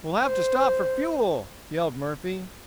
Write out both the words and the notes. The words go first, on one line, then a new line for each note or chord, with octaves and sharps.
"We'll have to stop for fuel," yelled Murphy.
C5